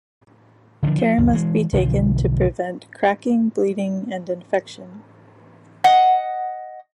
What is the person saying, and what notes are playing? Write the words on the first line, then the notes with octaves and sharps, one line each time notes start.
Care must be taken to prevent cracking, bleeding, and infection.
D3 E3 F3 D4
F3
C#2 F#2
E3 G#3
B1 D3 D#3 F3
D#5 F#5